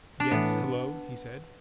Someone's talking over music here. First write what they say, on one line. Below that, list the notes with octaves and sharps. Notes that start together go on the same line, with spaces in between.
"Yes--hello!" he said.
D4
A2 E3 A3 B3